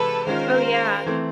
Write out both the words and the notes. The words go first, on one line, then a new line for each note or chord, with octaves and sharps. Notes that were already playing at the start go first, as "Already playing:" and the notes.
Oh, yeah.
Already playing: C3 E3 G#3 C4 A4 B4
D#3 G#3 C#4 F4 A#4 C5
E3 A3 C4